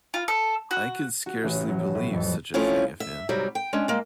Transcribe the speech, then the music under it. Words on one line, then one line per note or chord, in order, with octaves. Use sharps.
I could scarcely believe such a thing of him.
F4
A4
F#4
F#4
A1
F#3
A2
F2
F3 A3 C4 C#4 E4 F4
E5
G#2 C3 F#3 G3
G5
G#3 C#4 D4
G#3 A#3